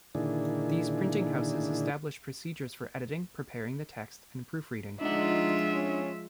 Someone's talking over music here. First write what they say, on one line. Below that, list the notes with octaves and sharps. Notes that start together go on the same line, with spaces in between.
These printing houses established procedures for editing, preparing the text, and proofreading.
A#2 D3 D#3 D4 E4 G#4
F3 G#3 D4 D#4 F4 E5 F#5
C#4